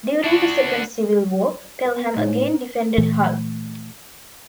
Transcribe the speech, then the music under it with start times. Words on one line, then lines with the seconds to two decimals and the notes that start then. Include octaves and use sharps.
During the Second Civil War, Pelham again defended Hull.
0.24 D4 F#4
1.85 B4
2.16 A2 D#4 C5 C#5
2.98 A#2 E3 A3